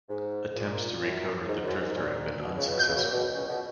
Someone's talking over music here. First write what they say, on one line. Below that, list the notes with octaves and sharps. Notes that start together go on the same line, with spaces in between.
Attempts to recover the drifter have been unsuccessful.
G#2
A#2
F#2
G#2
F#2
G#2
A#2
B2
C#2 C#3
B2
C#3
B2
A#2
B2
C#2 C#3
B2